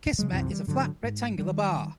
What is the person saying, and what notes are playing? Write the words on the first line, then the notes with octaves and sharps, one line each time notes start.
Kismet is a flat, rectangular bar.
C#3 F#3 G#3
C2 F#2 C3 E3
E3 G3
G#2 D3 F3 F#3
G#2
D#3 G3